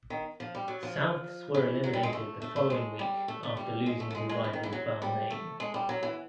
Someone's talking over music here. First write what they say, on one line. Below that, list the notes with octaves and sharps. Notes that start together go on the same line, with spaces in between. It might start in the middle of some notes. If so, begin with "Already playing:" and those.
Souths were eliminated the following week after losing to rivals Balmain.
D#3
F3
G3
F#3
F3
E3
F#3
G3
G#3
A3
A3
A3
G#3
G3
A3
A3
G3
G#3
A3
A3
G#3
G#3
E3
D#3
E3
F#3
G3
A3
G#3
G3
F#3
E3